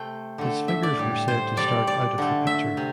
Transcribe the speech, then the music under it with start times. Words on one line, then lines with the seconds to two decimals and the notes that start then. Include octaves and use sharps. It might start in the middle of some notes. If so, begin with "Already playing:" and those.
His figures were said to start out of the picture.
Already playing: C3 A3 G5
0.38 D3 A3
0.68 E5
0.83 D5
0.98 A2 G3
1.28 C5
1.57 C3 G3 D5
1.87 D5
2.18 D3 A3
2.47 E5
2.77 C3